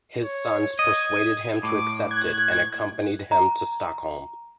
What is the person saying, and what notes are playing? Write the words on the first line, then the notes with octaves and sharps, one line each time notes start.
His sons persuaded him to accept it and accompanied him to Stockholm.
C#5
D#5 G#6
A2 D6
F#6 G#6
A#5